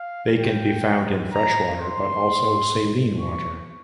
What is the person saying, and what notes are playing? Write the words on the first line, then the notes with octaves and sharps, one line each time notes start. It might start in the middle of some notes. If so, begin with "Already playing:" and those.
They can be found in freshwater but also saline water.
Already playing: F5
G5
A#5
C6
C#6